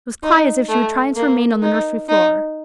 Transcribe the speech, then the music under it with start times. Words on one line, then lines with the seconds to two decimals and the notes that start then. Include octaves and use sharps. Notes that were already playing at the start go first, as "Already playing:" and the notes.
It was quite as if she were trying to remain on the nursery floor.
0.23 D#4
0.70 A3
1.16 A#3
1.62 D#4
2.09 D#4